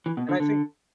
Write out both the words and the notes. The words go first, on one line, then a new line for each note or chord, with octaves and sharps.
And I think
E3
B2
D3
D3